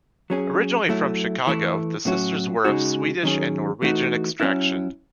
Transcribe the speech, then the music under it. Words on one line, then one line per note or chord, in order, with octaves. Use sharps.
Originally from Chicago, the sisters were of Swedish and Norwegian extraction.
F#3 C#4 G#4
F#3 A3 E4
E3 A3 E4
A2 F#3 C#4 F#4
C#3 G#3 D#4 F#4
D#3 F#3 C#4 G#4
E3 A3 D#4 F#4
F#3 C#4 E4